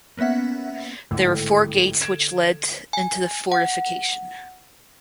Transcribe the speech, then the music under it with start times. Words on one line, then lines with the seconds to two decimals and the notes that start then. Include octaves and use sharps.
There were four gates which led into the fortification.
0.17 A#3 B3 C#4 E5 F#5
1.11 G#1 A2 D3
2.01 G#6 D7 E7
2.93 G#5
3.52 F#5